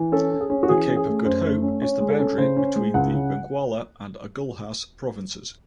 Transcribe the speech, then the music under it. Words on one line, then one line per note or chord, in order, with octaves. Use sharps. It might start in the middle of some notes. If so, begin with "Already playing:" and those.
The Cape of Good Hope is the boundary between the Benguela and Agulhas provinces.
Already playing: E3
C#4 A4
C#4
G#4
C#4
F#4
E3 G#4
C#4
G#4
A3
F#2 C5
A3
C#4
C#4 C#5
G#3
A4
C#4
C#3 C5
C#4
G#3
C#2 F#5
C#3